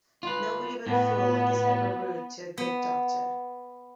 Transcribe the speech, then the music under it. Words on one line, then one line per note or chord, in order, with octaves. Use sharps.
Nobody but a fool is ever rude to a good doctor.
F4 B4
A2 B3
B3